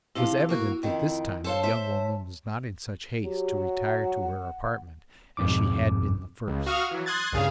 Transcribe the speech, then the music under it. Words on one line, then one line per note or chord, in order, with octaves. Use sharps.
It was evident that this time the young woman was not in such haste to retire to her apartment as she had been the first.
C3 F3 E4 F5
A#3 F#4
F2 D#3
A4 C5 C#5 F5 A5
C5 E5
F#3 G4
F#5
B1 F2 G#2 D6
C#2
F#4 F5 C#6 D#6 F6
E3 F#3
C6 D#6 F#6 G#6 A6
C2 G2 C#3 G#4 F5